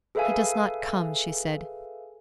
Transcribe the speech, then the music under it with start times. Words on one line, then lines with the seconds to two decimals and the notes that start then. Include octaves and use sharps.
"He does not come," she said.
0.15 G#4 A4 B4 E5 F5 G#5